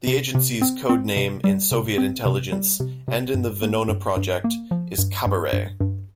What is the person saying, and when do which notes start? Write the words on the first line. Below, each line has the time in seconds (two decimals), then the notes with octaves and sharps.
The agency's code name in Soviet intelligence and in the Venona project is "Cabaret".
0.07 C3
0.35 C3
0.62 C4
0.89 C4
1.17 C3
1.44 G3
1.71 C3
1.98 C4
2.26 C3
2.52 G3
2.80 C3
3.08 C3
3.34 G2
3.62 A#3
3.89 G2
4.17 G2
4.44 A#3
4.71 F3
4.98 G2
5.26 G2
5.53 G2
5.81 G2